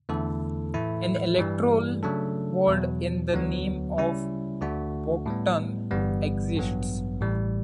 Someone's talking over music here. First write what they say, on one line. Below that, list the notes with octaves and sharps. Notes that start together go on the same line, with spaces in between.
An electoral ward in the name of Broughton exists.
E2 D3 A3 E4 A4
A2 E3 A3 E4
G2 E3 G3
C#3 F#3 A3 D4 A4
E2 B2 F#3
D2 D3 F#3 B3
C#3 G3 C#4 E4
D2 D3 A3 D4 F#4
A2 G3 B3
G1 G2 E3 G3 B3
A1 G2 F#3 B3
A1 A2 G3